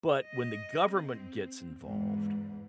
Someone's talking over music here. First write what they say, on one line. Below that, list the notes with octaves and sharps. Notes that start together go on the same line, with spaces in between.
but when the government gets involved,
D#5
C4
E2 G#2